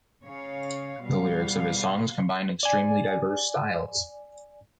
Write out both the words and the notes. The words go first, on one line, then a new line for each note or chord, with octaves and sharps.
The lyrics of his songs combine extremely diverse styles.
C#3 C#5 F5
B2 G3 F5
D5 G#5